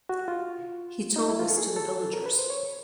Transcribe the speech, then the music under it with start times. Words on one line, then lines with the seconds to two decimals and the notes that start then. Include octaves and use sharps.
He told this to the villagers.
0.09 F#4
0.28 F4
1.16 D#4
1.28 E4
1.39 F4
1.49 A4
1.58 G#4
1.76 A4
2.13 A#4
2.26 B4
2.38 C5
2.50 C#5